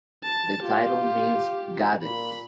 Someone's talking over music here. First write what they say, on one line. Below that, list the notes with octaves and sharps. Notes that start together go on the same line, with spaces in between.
The title means "Goddess".
A5
F4 G4
A#2 B5